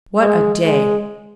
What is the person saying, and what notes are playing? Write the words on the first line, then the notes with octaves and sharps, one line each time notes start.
What a day!
G#3
G#3